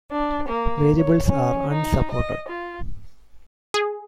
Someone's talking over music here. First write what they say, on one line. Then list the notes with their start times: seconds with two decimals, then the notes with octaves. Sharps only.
Variables are unsupported.
0.10 D4
0.48 A#3
0.96 C#5
1.25 C#4
1.72 D#4
2.10 D#5
2.47 F4
3.74 G#4